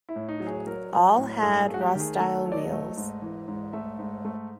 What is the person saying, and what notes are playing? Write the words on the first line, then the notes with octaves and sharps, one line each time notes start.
All had "Rostyle" wheels.
E4
A2
D#4
F#3
G#4
F#3 A#4
F#3
A2
G2 A4
G#4
A3
F#4
G4
D#3
G#4
A3 A4
F#3
D5
D#5
A3
G#2
E3
G#2
A3 E5
G#2
A3